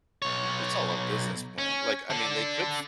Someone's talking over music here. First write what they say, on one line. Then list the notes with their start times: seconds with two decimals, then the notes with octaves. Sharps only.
It's all a business plan, like, I mean, they could f
0.22 B1 C#5
1.58 C#4
2.10 D4 A4